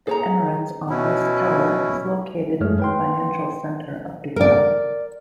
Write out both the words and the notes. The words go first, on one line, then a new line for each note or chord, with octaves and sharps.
The Emirates Office Tower is located in the financial centre of Dubai.
G#4 C#5 A#5
B2 C#4 E4
F#2 G#3 A3 G#4 C#5 F6
B4 G5 C6
A#4 D5